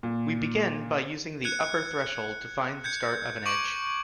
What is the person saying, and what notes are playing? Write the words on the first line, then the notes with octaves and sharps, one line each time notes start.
We begin by using the upper threshold to find the start of an edge.
A#2
F#6 G#6 C#7
G6 G#6 C#7
C#6 D6 D7 F#7